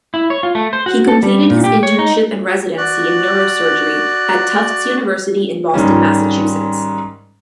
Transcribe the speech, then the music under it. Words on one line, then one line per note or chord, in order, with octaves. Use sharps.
He completed his internship and residency in Neurosurgery at Tufts University in Boston, Massachusetts.
E4
C#5
F4
A3
C5
F#4
A4
G3
A#2
G4
C#5
D#4
F#4 D5 F#6
G#2 D#3 G3 C#4